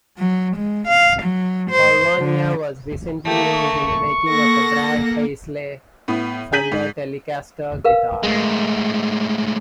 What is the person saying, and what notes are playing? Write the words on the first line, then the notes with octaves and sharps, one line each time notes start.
Paulownia was recently used in the making of a Brad Paisley Fender Telecaster Guitar.
F#3
G#3
F5
F#3
C5
D3
D#3 A3 A#3 G4
C#6
A#3 A4 F#5 A#6
A2 B3
G#4 A#5 G6 B6 D#7 F#7
G#2
A#4 B4 F5
A2 G#3